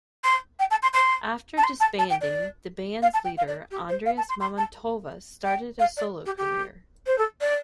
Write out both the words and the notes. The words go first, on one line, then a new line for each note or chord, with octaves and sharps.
After disbanding the band's leader Andrius Mamontovas started a solo career.
C6
G5
A5
C6
C6
A5
C6
A5
A5
G5
D5
F5
A5
G5
F5
D5
G4
C5
F5
A5
C6
C6
A5
G5
F5
D5
G4
G4
C5
A4
D5